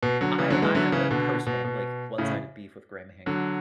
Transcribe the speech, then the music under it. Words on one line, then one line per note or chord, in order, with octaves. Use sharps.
I I have a personal like one-sided beef with Graham Hancock.
B2
D3 F#3
C#3 E3
D3 F#3
E3 G#3
D3 F#3
C#3 E3
B2 D3
B2
B2
A2 C#3
D3 F#3